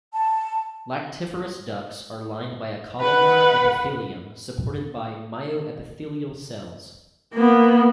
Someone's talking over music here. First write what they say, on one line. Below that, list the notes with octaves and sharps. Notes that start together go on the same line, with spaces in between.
Lactiferous ducts are lined by a columnar epithelium supported by myoepithelial cells.
A5
B4 F#5
A#3 B3